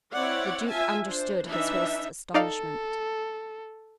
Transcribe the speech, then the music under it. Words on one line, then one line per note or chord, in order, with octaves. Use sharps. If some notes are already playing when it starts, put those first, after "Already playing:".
The duke understood his host's astonishment.
C4 E4 C#5 D5 F#5
F4 E5 G#5 A5
D4 C5
E3 D4 D#4 E5
D#4 A4 D5 F5